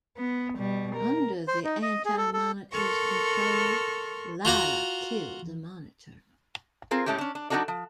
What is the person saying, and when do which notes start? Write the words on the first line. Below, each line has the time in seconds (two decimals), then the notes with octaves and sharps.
Under the Anti-Monitor's control, Lyla killed the Monitor.
0.17 B3
0.57 B2 G3
0.96 A#4
1.48 C5
1.64 D#4
1.82 D#5
2.05 G#4
2.18 A4
2.33 A4
2.74 A4 A#4 C6 C#6 F6
4.45 F4 F#4 F5 A#5
6.91 C4 F4 G#4 A#4
7.06 A2 G#3 A3 C#4 G4
7.18 C#4 D4
7.35 D4
7.50 F#3 D4 D#4 F#4 A4 D5
7.68 F3